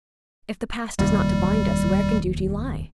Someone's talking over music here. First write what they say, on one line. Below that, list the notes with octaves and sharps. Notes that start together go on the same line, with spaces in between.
If the past is not to bind us, where can duty lie?
F1 D#2 G3